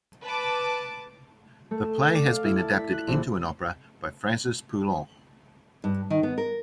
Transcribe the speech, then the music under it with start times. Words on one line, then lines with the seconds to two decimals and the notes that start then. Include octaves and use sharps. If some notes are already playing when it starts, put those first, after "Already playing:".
The play has been adapted into an opera by Francis Poulenc.
0.23 B4 A5 D6
1.71 A3
1.84 E7
2.15 D5
2.27 F5
2.44 E4
2.58 A5
2.72 B6
2.92 F#6
3.08 A#1
5.84 G2
6.10 D#3
6.23 B3
6.38 A#4